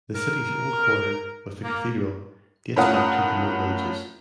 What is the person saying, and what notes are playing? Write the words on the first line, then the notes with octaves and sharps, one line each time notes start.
The city's old quarter, with the cathedral, dates back to the Middle Ages.
A#4
A#3
A2 C#4 F4 A#4 F#5 D#6